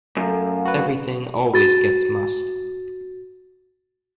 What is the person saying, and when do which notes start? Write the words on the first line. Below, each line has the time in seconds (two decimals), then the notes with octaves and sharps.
Everything always gets mussed.
0.17 F#2 A3 F5
0.65 F#4 B4
1.54 F#4 A6